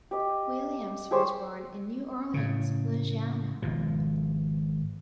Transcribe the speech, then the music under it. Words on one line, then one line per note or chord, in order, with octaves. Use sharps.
Williams was born in New Orleans, Louisiana.
G4 D#5
G4 G#4 C5 C#5
A2 C#3
G#1 B2 F3